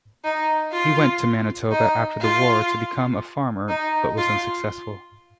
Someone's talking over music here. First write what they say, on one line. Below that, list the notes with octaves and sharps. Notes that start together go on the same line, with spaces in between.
He went to Manitoba after the war to become a farmer, but was unsuccessful.
D#4
F4
D#4
F4
D#4
F4